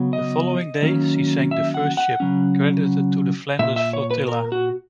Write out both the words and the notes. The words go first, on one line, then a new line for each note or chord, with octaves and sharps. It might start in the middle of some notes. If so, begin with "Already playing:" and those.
The following day, she sank the first ship credited to the Flanders Flotilla.
Already playing: C#3 F#3 B3
D#5
D#3 F#3 A#3 C#4
E5
F#5
F#5
C#3 F#3 C#4
A#2 A#3 E5
E5
C#5
B4
A#4
F#4